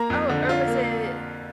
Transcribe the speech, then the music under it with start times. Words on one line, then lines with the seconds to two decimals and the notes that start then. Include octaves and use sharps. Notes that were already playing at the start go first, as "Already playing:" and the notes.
oh, or was it
Already playing: A#3 A#5
0.10 F2
0.29 D3
0.49 F4
0.67 A#3